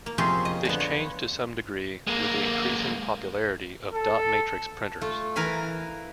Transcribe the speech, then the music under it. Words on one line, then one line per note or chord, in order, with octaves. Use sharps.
This changed to some degree with the increasing popularity of dot matrix printers.
A#3
F2 C3 C4 C#4 G#4 C6
D#5
D3 B3
C#5
G#3 A#3
A4
A3 F4
E3 A#4 F5 G#5 B5